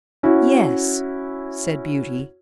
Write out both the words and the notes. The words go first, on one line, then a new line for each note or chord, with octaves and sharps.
"Yes," said Beauty.
C#4 E4 F#4